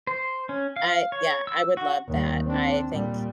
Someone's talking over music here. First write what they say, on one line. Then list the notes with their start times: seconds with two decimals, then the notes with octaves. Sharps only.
uh, yeah, I would love that. I think,
0.07 C5
0.49 C#4
0.76 F5
1.12 C#5
1.47 E6
1.77 F#4
2.08 D#2 G3
2.44 C4 D4
2.90 A#2 G3